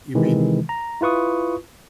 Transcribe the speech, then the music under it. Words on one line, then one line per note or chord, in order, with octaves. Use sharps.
You mean
C3 D#3 E3 G#3
A#5
E4 F4 B4 C#6 D#6